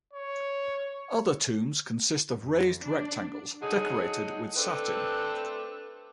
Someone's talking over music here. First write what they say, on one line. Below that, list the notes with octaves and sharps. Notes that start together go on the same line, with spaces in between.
Other tombs consist of raised rectangles, decorated with satin.
C#5
F2
D4
D3 F#3 D#4 G#4
A3 C4 D4 A4 B4